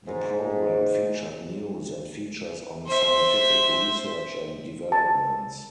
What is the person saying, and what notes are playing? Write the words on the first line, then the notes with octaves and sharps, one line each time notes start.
The program featured news and features on scientific research and developments.
G#2
C5 E5
A5